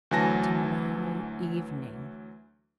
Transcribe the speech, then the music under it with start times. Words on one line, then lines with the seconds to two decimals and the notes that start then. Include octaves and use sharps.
To-morrow evening!
0.11 D2 E3 F#3 G#5 A5 A#6